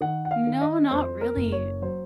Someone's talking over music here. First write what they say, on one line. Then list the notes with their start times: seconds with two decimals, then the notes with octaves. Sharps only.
No, not really.
0.01 D#3 F#5
0.25 F#5
0.31 F5
0.47 D#3
0.61 D#5
0.91 F2 C5
1.21 A#4
1.36 F#1
1.52 C#5
1.82 F#3 C5